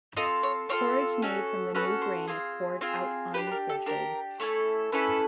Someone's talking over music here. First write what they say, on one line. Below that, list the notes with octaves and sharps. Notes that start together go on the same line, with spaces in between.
Porridge made from the new grain is poured out on the threshold.
C4 F4 A4 D#5
C#5
C4 F4 A4 C#5
C#4 F#4 A4
C#4 F#4 A4 B4
C5
C4 F4 G#4
C4 F4 G#4
D4 G4 B4
B4
A#4
A4
D4 G4 A#4
A3 C#4 E4 A4
A3 C#4 E4 A4 B4